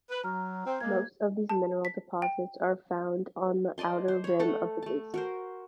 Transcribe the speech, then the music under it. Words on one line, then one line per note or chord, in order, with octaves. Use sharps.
Most of these mineral deposits are found on the outer rim of the basin.
B4
F#3 A#5 F6
C4
G#3 A#3 G#6
A5
B6
G5
D5 D#5 A5 C6
C5
C#5 B5
A3 A4 F#5
A3 A5
F#4 A#4 C5